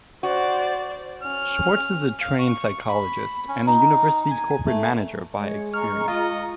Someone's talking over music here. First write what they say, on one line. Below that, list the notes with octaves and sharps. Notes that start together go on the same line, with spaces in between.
Schwartz is a trained psychologist and a university corporate manager by experience.
F#4 C5 D5
C#4 F6
F5
C#6
B5
C#4
D#4
G#5
A3
G#3 C#5
A#5 C#6 F6
F4 D#5